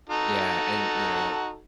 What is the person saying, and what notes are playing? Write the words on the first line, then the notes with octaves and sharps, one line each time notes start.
Yeah, and, you know,
D#4 F#4 A4